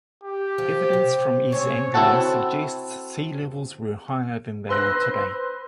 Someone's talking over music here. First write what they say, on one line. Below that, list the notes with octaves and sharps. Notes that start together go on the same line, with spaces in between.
Evidence from East Anglia suggests sea levels were higher than they are today.
G4
F3
C3
C3 C#4 C#5
C4 E4 F#4 A4 F#5 A5
B4 C5 C6 E6 F#6 A#6